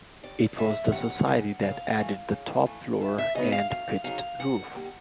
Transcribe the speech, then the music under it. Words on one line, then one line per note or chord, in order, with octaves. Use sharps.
It was the Society that added the top floor and pitched roof.
D#2 D5
C#3 F3 G#3 E5
D#2 F#5
C#3 F3 G#3
C#3 F5
E3 A3
C#3
E3 A3
D2 E5
E5
C#3 F#3 B3 D#4 D#5
F5
D2 F5
C#3 F#3 B3 D#4 F5
G#2 F#5
D#3 G3 A#3